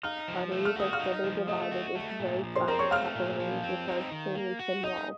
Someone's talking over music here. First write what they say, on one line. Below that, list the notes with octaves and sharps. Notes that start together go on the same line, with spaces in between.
Arteries are further divided into very fine capillaries which are extremely thin-walled.
D#4 F5 F6
F3
A3
F6
F#4 D#6
F5 F6
D#4
F3
A3 D#5 D#6
F#4
A3
A#2
F3
C5 C6
C4 A#4 A#5
C#5 C#6
A3 F5 F6
A#2
F3
C4
D#4
D#3
A#3
F#4
D#4 D#5 D#6